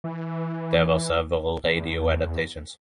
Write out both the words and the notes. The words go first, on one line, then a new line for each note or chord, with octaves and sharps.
There were several radio adaptations.
E3
E2